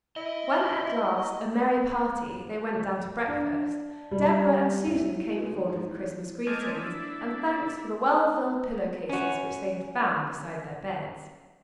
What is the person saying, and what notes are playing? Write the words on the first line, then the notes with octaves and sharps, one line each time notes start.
When at last, a merry party, they went down to breakfast, Deborah and Susan came forward with Christmas greetings, and thanks for the well-filled pillow-cases which they had found beside their beds.
E4 D#5
D4
G3
E4
B2
D#2
G#2
E2
A3 C4 D#5 G#5 D6 F6
D4 E4
C#4 F#4